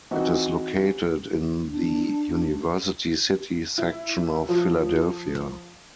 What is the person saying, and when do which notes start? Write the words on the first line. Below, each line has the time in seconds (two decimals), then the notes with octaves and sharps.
It is located in the University City section of Philadelphia.
0.11 E3 C4 D#4 F#4
1.68 D4
3.78 E4
4.49 F3